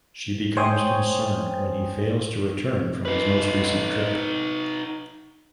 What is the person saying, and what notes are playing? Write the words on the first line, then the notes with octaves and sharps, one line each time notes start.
She becomes concerned when he fails to return from his most recent trip.
C5 C#5 G5 G#5 D#6
D#4 B4